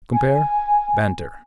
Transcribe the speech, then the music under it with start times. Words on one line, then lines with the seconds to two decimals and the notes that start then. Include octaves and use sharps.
Compare BANTER.
0.13 G#5